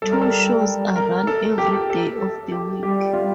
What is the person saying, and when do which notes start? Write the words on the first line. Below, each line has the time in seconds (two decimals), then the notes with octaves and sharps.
Two shows are run every day of the week.
0.02 G3 A4
0.12 A#4
0.22 A4
0.96 A#4
1.27 A4
1.58 G4
1.90 A4
2.21 A4
2.52 G4
2.83 G3 G4
3.13 F4